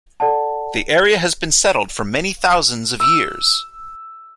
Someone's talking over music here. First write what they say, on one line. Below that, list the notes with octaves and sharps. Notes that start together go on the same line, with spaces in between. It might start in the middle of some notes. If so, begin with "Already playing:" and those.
The area has been settled for many thousands of years.
A4 D5 F#5 A5
E6